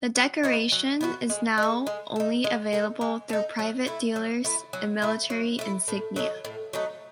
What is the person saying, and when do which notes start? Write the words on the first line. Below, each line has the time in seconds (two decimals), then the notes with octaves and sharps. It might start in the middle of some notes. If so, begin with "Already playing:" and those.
The decoration is now only available through private dealers in military insignia.
0.15 F#3
0.43 B3 D#4 F#4
0.72 F#3
1.01 B3 D#4 F#4
1.30 G#3
1.58 D#4 A4
1.87 G#3
2.16 D#4 A4
2.44 G#3
2.73 D#4 A4
3.01 G#3
3.30 D#4 A4
3.59 F#3
3.87 A3 E4
4.16 F#3
4.44 A3 E4
4.73 F#3
5.02 A3 E4
5.30 F#3
5.59 A3 E4
5.88 A2
6.16 F#3 A3 D#4
6.45 A2
6.73 F#3 A3 D#4